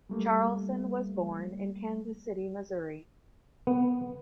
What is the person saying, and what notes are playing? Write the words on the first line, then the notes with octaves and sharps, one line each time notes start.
Charleson was born in Kansas City, Missouri.
G3 A3 A#3
B3